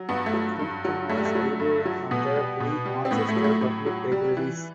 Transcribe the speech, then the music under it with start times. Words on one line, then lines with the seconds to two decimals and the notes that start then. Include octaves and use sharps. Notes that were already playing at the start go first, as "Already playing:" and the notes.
Sutton was librarian of the Free Manchester Public Libraries.
Already playing: F#3
0.09 G2 B3
0.26 A3
0.33 F#3
0.59 G2
0.85 F#3
1.09 G2 A3
1.17 G3
1.25 A3
1.35 F#3
1.60 G2
1.85 F#3
2.11 B2 B3
2.36 G3
2.60 B2
2.85 G3
3.05 C4
3.11 A2 B3
3.29 A3
3.36 F#3
3.44 A3
3.61 A2
3.86 F#3
4.12 G3
4.37 E3